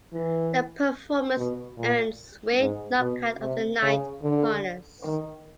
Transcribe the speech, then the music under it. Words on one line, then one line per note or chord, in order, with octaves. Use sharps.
The performance earned Swick "Knockout of the Night" honors.
E3
B2
A#2
G#2
B2
C3
C#3
D3
D#3